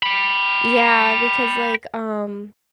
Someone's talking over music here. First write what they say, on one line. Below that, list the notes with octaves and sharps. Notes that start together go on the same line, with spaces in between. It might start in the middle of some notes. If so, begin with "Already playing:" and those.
Yeah, because, like, um,
G5 B5